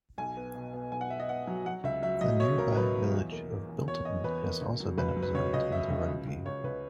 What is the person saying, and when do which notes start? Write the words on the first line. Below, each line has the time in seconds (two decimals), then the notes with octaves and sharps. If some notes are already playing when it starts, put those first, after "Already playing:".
The nearby village of Bilton has also been absorbed into Rugby.
0.18 B1 G#5
0.37 B3
0.55 B2
0.73 B3
0.92 B1 G#5
1.01 F#5
1.10 B3 E5
1.20 D#5
1.29 B3 F#5
1.47 F#3
1.66 F#3 F#5
1.84 C#2 E5
2.02 F#3 E5
2.21 F#3 D#5
2.40 B2 C#5
2.58 C#2 A#4
2.76 F#3 B4
2.95 F#3
3.14 E2
3.32 A#3
3.50 A#3
3.69 E2
3.88 E2 C#5
4.05 E2 D#5
4.24 E2 B4
4.42 A#3
4.61 C#2
4.80 F#3
4.98 C#2 B4
5.16 F#3
5.23 B4
5.35 C#2 C#5
5.53 C#2 D#5
5.72 F#3 E5
5.91 C#2
6.09 C#2
6.27 C#2
6.45 C#2 C#5
6.64 C#2 B4